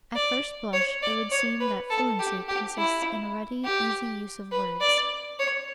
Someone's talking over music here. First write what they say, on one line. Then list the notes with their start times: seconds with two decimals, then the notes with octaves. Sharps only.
At first blush it would seem that fluency consists in a ready, easy use of words.
0.16 D5
0.73 C#5
1.03 D5
1.31 C#5
1.60 B4
1.90 A4
2.19 G4
2.48 G4
2.77 E4
3.64 G4
4.52 B4
4.81 D5
5.39 C#5